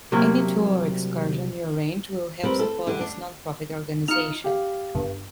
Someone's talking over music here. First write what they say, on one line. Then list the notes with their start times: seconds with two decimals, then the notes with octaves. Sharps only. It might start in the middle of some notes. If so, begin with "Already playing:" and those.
Any tour or excursion you arrange will help support this non-profit organization.
0.12 C2 C3 F#3 A#3
2.43 G3 C4 A#4 B4
2.59 A4
2.87 G2 D3 G4
3.00 D4
4.08 D#4 F4 F6 C#7
4.44 G4 F5
4.95 G1